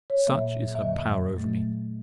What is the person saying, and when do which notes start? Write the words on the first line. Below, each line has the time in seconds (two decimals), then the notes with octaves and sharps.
Such is her power over me!
0.10 C#5
0.28 A#2 F#3 A#3 E5
0.75 E5
0.82 F2 D3 F#3 D#5
1.37 A#2 F#3 A3